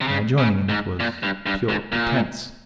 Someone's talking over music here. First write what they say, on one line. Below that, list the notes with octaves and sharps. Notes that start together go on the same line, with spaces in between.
My joining in it was pure pretence.
C3
C#3
C#3
G#2
A#2
G2
G2
G#2
A#2